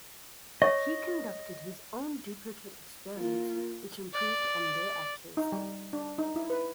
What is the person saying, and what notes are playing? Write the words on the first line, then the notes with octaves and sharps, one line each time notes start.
He conducted his own duplicate experiments which improved on their accuracy.
C#5 D#5 C#6
A#3 F4
D5
D#4
G3
D4
D#4
E4
B4